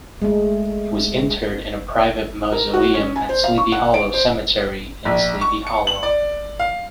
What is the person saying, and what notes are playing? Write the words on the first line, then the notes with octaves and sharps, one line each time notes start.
He was interred in a private mausoleum at Sleepy Hollow Cemetery in Sleepy Hollow.
G#3 A3
A#4
F#4
C#4
G#5
C5
F5
C#6
F#5
D7
C5
A#1
C#6
C#7
F#7
D5
F5